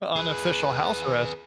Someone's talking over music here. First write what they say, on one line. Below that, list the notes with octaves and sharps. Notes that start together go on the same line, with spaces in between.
unofficial house arrest.
G#4 B4